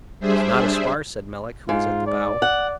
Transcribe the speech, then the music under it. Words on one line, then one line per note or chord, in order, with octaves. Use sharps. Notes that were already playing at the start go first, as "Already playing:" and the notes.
"It's not a spar," said Melick, who was at the bow.
G3 D4 G#4 C5 E5
G#2 F4
D5
F#5